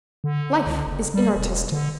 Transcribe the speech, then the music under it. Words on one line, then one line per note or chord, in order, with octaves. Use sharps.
Life is inartistic.
D3
C#2
F#1
G3
E1
D3